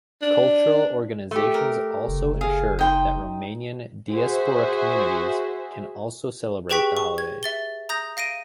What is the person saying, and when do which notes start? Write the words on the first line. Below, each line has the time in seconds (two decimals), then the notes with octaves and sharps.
Cultural organizations also ensure that Romanian diaspora communities can also celebrate the holiday.
0.22 D4
1.31 A3 G4
1.54 A#4
2.08 F#1
2.41 G#4 F5
2.79 D#4 G5 C6
4.11 F#4 G#4 C5 E5
6.70 G4 G#4 B4 G5 C#6 B6
6.97 C#6
7.18 G#6
7.43 E5 A6 G7
7.89 A#5 D#6 G6 A#6
8.17 F5 A#6 D7 D#7